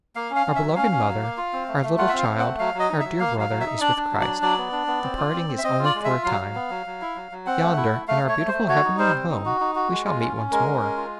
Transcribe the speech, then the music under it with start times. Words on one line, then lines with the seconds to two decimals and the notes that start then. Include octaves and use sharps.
Our beloved mother, our little child, our dear brother is with Christ; the parting is only for a time. Yonder, in our beautiful Heavenly Home, we shall meet once more.
0.16 A#3 F5
0.30 C#4
0.36 F5
0.46 C#4
0.56 E5
0.61 F#3
0.76 C#4 F5
0.91 C#4
1.07 F#3
1.22 A#3
1.37 F4
1.53 C4
1.68 A3
1.83 A3
1.98 F4 F#5
2.09 E5
2.13 C4
2.19 F5
2.29 C4
2.39 A3 F#5
2.59 F#3 F5
2.74 F#3
2.79 D#5
2.90 D#4
3.00 F#3 E5
3.20 A#3 F5
3.36 F#3 F5
3.50 F#3
3.61 D#4 E5
3.81 D4 D5
3.96 D4
4.11 F#3
4.21 D5
4.27 D4
4.42 F#3 D5
4.58 B3
4.72 D4
4.87 B3
5.03 C4
5.18 F4
5.33 C4
5.49 C4
5.58 E5
5.64 C4 D#5
5.79 F4
5.85 D5
5.95 G#3
6.04 E5
6.10 F4
6.25 F#3 F5
6.41 F#3
6.55 B3
6.70 F#3
6.86 F#3
7.01 E4
7.16 F#3
7.31 F#3
7.47 C4 F#5
7.62 A3
7.77 E4
7.93 A3
8.08 A3 F5
8.23 A3
8.29 C#5
8.39 A3
8.48 C5
8.53 A3
8.69 F#4 C#5
8.84 D#4
8.98 G3 C5
9.15 C4
9.29 D#4
9.45 F#4
9.60 D#4
9.75 F#4
9.91 G#3
10.06 F4
10.20 C#4
10.37 C#4
10.52 G#3 A#4
10.67 C#4
10.82 G#3
10.97 F4